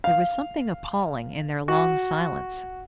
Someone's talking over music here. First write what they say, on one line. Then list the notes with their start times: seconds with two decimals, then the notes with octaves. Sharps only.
There was something appalling in their long silence.
0.04 F5
1.68 F#4